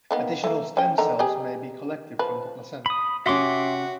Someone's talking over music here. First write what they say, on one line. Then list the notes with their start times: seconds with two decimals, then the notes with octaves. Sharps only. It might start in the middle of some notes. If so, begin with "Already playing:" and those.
Additional stem cells may be collected from the placenta.
0.11 D#3 A#3 B3
0.44 A3 A#3
0.77 C#4 G5
0.98 D3 D#3 A#5
1.19 G4 G#4 D#5
2.19 F3 B4
2.86 B5 D#6
3.26 C3 C#4 F#4 E5 C6 D6